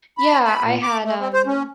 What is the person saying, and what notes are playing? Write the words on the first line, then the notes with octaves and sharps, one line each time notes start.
Yeah, I had, um,
B5
B5
A#2
D6
A3
C4
C5
C#4